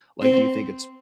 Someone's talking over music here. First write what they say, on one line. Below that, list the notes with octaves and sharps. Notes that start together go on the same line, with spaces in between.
Like, do you think it's
C4